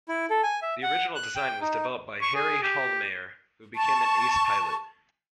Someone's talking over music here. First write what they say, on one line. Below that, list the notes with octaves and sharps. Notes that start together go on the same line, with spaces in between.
The original design was developed by Harry Hollmeyer who became an ace pilot.
E4
A4
G#5
E5
F#5
F#6
G5
D#4
C#6
G#4
G4
A5 C#6